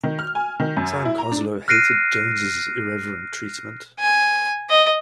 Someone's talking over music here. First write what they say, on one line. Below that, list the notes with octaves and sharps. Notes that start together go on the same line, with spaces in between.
Sam Coslow hated Jones' irreverent treatment.
D#3
F6
G#5
D#3
F#2
E4
A#5
D4
F6 F#6 A#6 C7 D7 D#7
G#5
D#5